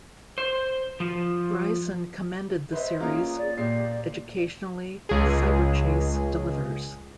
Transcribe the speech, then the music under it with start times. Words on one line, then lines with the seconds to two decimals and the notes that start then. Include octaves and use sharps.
Bryson commended the series: "Educationally, "Cyberchase" delivers".
0.38 C5
1.00 F3
2.73 B4 C5 D#5 E5
3.00 A#3 C#4 F4 G#4 A#5
3.37 D5
3.58 A#2 G4 D5 C7
5.09 C#2 G#4